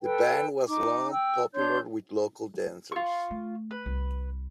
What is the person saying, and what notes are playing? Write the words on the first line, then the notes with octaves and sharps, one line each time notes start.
The band was long popular with local dancers.
A4 B4 G5
D#4 D6
G5 E6
D4 C#5 C6 G6
F4 C#6
A3
B4
C2